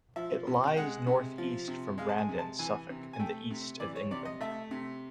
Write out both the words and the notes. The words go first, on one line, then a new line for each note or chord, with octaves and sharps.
It lies north east from Brandon, Suffolk in the East of England.
F3 E5
C3
G5
G#3 F#5
C3
F3
C3
G#3 F5
A5
G#5
C3
A5
E3 G#5
C3
G#5
A3 G5
C3
E3 D5
C#5
C3 D5
D#5
A3 E5
C3